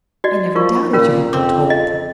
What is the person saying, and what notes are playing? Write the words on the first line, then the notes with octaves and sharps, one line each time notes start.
I never doubted you had been told.
F#4 D5 D#5
F3 F4 A#4 C#6
A#2 C#4 F4 A#4
F2 C4 D6
D#5